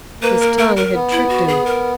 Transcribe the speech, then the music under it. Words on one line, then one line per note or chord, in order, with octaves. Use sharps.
His tongue had tricked him.
A#3 B4
A#4
A#4
A#4
B3
E4
F#4
G#4
A#4